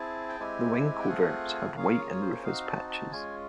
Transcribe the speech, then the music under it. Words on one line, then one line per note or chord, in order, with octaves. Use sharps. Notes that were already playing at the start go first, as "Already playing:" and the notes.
The wing coverts have white and rufous patches.
Already playing: C4 E4 G#4 A5
G5
G#3 C4 E4 G4 G#5
G5
A3 C4 F4 G#4 F#5
F#5
A#3 C#4 F4 G#4 F5
C#5
C#5
C5
C4 D#4 F#4 F5
A5
A5
G#3 C#4 F4 G#5